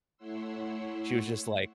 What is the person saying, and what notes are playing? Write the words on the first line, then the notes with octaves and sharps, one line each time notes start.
She was just, like
A3 E4 C#5 F#5 C6 E6